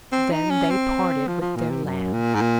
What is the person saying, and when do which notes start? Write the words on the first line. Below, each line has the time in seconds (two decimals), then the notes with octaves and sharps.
Then they parted with their land.
0.12 C4
0.32 D#4
0.50 C#4
0.70 C4
1.27 F3
1.41 F3
1.56 A#2
1.70 C3
1.84 F#2
2.13 A#2
2.35 G#2
2.41 A#2